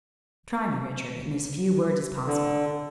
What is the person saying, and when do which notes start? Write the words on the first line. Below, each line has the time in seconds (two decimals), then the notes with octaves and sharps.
"Try me, Richard, in as few words as possible."
2.26 D3